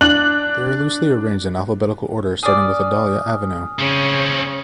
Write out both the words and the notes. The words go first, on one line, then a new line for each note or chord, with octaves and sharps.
They are loosely arranged in alphabetical order starting with Adalia Avenue.
D4 F#6 F#7
G#4 D5 G#5 D#6 F6
C#3 C4 C#4 C#5